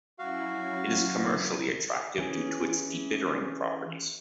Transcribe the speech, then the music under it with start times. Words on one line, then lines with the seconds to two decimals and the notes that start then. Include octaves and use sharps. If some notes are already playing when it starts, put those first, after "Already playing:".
It is commercially attractive due to its debittering properties.
0.19 F#3 C#4 E4 F#4 F5
2.18 E3 C#4 G#4